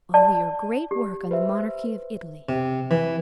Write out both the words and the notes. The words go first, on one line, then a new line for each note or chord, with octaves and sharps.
"Oh, your great work on the monarchy of Italy!"
D5 A5
G4
B4 C5 E5
C3
E3